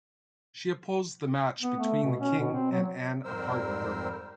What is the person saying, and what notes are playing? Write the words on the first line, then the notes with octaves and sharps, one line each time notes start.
She opposed the match between the king and Anne of Hardenberg.
B3
A3
B2
C#4
B2
C4
F#3
F2 G#2 G3 A#4 C5 E6